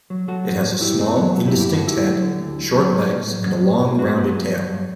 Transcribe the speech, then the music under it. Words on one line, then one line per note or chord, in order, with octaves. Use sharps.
It has a small, indistinct head, short legs, and a long, rounded tail.
F#3
F#3 F#4 A4
A2
A2
G2 E4 G4
G2 A3 C4
F#3 B3
F#3
E4 G4
G2
E4 G4
G2 F#4 A4
D2 E4 G4
F#3
D3
D2
D2
F#3
A2
A2
F#3
F#3
A2
A2
G2 D4 F#4
G2 B3
F#3
F#3
G2